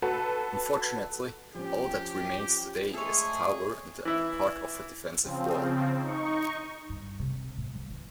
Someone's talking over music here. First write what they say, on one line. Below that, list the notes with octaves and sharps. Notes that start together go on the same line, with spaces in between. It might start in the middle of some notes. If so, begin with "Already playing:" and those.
Unfortunately, all that remains today is a tower and part of a defensive wall.
F#4 A4 B4
F3 C#4 G4
G#3 A3 G#4 A4 C#5
E3 E4
C#3 F3 C4
D#4 C#6
G2
C3
A2
F3
E3